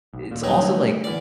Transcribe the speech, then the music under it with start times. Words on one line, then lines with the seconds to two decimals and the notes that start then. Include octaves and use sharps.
it's also, like,
0.13 B1
0.31 D#2 A#2
0.43 G2 F#3 D#4
0.62 D3 G#3 A3
1.04 E2 D5